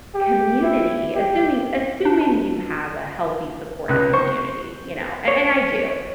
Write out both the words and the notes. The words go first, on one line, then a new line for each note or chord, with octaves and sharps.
community assuming assuming you have a healthy supportive community, you know, and and I do.
G4
E4
G4
D4
A5
C#2 F#6
C5 C#6
C#5